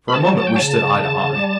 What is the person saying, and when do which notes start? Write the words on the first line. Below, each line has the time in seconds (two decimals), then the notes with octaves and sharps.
For a moment we stood eye to eye.
0.08 B5
0.13 A5
0.25 F#3
0.37 A5
0.47 G5
0.56 A5
0.61 C#3
0.98 C#3
1.36 G3